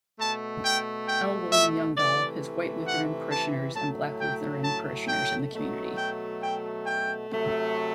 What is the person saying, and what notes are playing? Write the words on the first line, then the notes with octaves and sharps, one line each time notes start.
L. William Youngdahl, his white Lutheran parishioners and black Lutheran parishioners in the community.
B2 A3 A5
G5
G5
E5
C3 E3 A3 D5
F#5
A5
A2 F#3 A3 A5
G5
A5
G5
B2 F#3 A3
G5
G5
G5
C3 F#3 A3